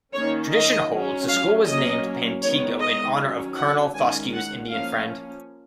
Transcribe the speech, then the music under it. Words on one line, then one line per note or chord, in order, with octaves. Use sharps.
Tradition holds the school was named Pantego in honor of Colonel Foscue's Indian friend.
D#3 A#3 C#4 C#5
D#5
F#3 C#4
F5
F#3 A#3 C#4 D#5
D#3 G#3 B3 C#5
D#5
D#3 F#3 C#4
F#5
D#3 G#3 C#4 G#5
F#5
F3 A#3 C#4 F5